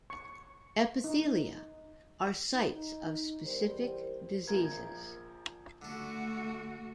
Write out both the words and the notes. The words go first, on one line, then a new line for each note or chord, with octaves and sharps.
Epithelia are sites of specific diseases.
C#6
D#4
D#4
E2 G3 A#4 C5
A#1 F3 A#4 G#6
D3 A3 F#4 A4